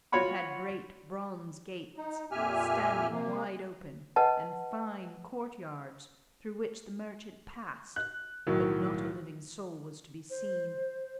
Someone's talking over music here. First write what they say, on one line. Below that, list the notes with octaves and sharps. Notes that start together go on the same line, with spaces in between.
It had great bronze gates, standing wide open, and fine court-yards, through which the merchant passed; but not a living soul was to be seen.
F4 F#4 C#5 F#5 B5 C#6
D#4
F2 A#2 G4 E5 G#5 F6
C3 A#3
B4 D#5 F#5 A5
F#6
B1 A2 D#3 F#3
C5